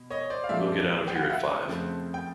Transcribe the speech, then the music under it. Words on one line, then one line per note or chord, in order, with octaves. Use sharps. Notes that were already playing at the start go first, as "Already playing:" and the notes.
We'll get out of here at five.
Already playing: B2
C#5 D#5
C#5
C5 D5
F5
A#2 F3 G#3 C4 D5 E5
G5
F#5
F5
E5 F#5
F2 C#3 F3 A3 C4
G5